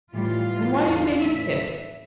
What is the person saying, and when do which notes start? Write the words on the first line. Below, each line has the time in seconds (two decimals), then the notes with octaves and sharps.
"Then why do you say he did?"
0.13 A2 E3 G3 F4
0.49 A2 E3 G3
0.85 E2 D3 F3
1.21 A2 E3 E5